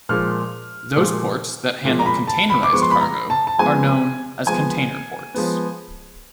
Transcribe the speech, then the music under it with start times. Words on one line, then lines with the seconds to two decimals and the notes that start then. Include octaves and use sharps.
Those ports that handle containerized cargo are known as container ports.
0.09 A#2 F3 G#3 F6
0.96 A#2 F3 G#3
1.84 A#2 F3 G#3
1.99 A#5
2.06 B5
2.27 A5
2.50 B5
2.63 D6
2.72 F3 G#3 B3 C#6
2.82 C6
2.91 B5
3.01 A#5
3.30 A5
3.47 A5
3.58 F3 G#3 B3 G#5
4.46 F3 G#3 B3 G#5
5.34 F3 G#3 B3